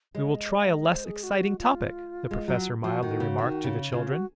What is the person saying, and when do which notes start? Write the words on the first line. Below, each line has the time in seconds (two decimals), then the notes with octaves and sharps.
"We will try a less exciting topic," the Professor mildly remarked to the children.
0.15 G#3 C#5
0.33 D#5
0.50 C#5
0.61 F5
0.69 D#5
0.87 C5
1.05 G#4
1.23 F#4
1.32 G#4
1.40 F#4
1.59 F4
2.31 G#3
2.48 F#3
2.84 F3 F#4
3.03 D#3
3.20 C#3
3.38 D#3
3.64 C#3
3.92 C#3 F4
4.10 F#4